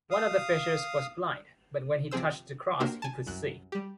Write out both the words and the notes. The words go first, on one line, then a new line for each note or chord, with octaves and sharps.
One of the fishers was blind, but when he touched the cross he could see.
F5 D#6
C3 F3 C4 G#4 C5 E6
A#3 D4 F#4 G4 A#4 C5
G#5 A5
C2 F#2 F#6
G3 G4